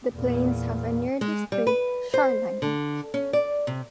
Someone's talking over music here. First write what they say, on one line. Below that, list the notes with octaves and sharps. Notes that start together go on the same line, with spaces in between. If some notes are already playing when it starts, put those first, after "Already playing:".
The plains have a nearly straight shoreline.
E2 A#2
G#3
G3
B4
C5
D3
C#4
D5
C3